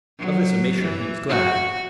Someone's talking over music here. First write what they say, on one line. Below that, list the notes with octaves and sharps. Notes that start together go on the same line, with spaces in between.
Of this omission he was glad.
F#3
E3
F#4